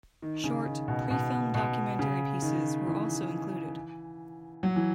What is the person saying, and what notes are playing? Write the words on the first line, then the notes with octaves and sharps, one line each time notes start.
Short, pre-filmed documentary pieces were also included.
D#3
C#3
D#3
B2
B2
B2
C#3
D#3
E3
F#3
E3